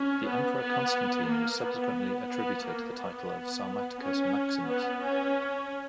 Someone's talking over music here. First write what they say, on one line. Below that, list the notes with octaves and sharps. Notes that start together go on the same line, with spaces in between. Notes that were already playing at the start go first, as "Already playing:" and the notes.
The emperor Constantine was subsequently attributed the title of "Sarmaticus Maximus".
Already playing: C#4
B3
B3
A#3
B3
B3
A#3
B3
C#4
B3
C#4